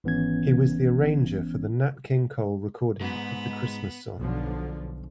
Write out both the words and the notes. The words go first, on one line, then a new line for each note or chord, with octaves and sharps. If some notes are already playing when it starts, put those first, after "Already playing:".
He was the arranger for the Nat King Cole recording of The Christmas Song.
G#1 E3 B3 C#4 G#6
G#2 B3 B5
B1 D3 F3